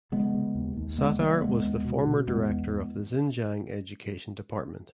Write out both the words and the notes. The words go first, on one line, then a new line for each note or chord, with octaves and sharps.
Sattar was the former director of the Xinjiang Education Department.
C#3 G#3 B3
C#3
D#2
D#2
C#3 G#3 B3
C#3 G3 A#3
D#2 G#3 B3
D#2
B2
B2
E2 G#3 B3
E2